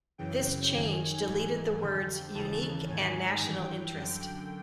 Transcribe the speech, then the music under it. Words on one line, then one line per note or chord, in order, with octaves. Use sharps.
This change deleted the words "unique" and "national interest".
F#2 C#3 E3 G5
F#2 D#3 G#5
G#2 E3 G#5
F2 D3 G5
D#2 C#3 E3 A5
G#2 D#3 G#5
G2 E3 G5
F#2 D3 G5